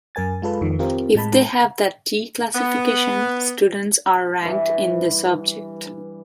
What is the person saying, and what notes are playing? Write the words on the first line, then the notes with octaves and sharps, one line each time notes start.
If they have that T classification, students are ranked in the subject.
F#2 A#4 G#5 A6
G#3 F4 A4 B4
F2 D#3
C4 F4 G4 A#4
A2 G#3 A5 B5
B3
G2 E3